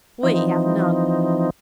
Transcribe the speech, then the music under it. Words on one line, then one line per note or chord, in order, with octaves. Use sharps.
We have none.
E3 F3 C4 D#4